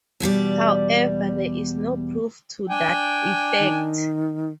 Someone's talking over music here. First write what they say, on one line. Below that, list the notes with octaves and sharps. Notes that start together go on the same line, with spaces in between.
However, there is no proof to that effect.
E2 B2 G3 D5
D4 G5 G#5
D#3